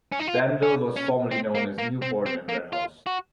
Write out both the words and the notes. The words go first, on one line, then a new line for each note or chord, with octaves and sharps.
Danville was formerly known as Newport and Red House.
C#4
D#4
F4
C#4
C#4
C4
A#3
A#3
C4
C4
A#3
F4
F#4